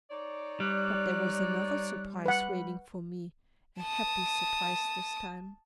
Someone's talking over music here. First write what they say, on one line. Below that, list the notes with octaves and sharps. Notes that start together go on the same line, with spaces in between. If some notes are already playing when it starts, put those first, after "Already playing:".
But there was another surprise waiting for me; a happy surprise this time.
D#4 C#5 D5
G3 F#6
B4 F#5 B5
A5 D#6